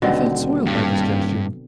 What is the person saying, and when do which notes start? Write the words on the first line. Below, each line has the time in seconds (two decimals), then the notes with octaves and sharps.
I felt soiled by this gesture.
0.02 D#1 B2 D3 C4
0.66 G2